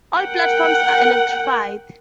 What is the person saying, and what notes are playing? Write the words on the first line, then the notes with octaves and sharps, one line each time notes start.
All platforms are electrified.
A#4 F#5 G5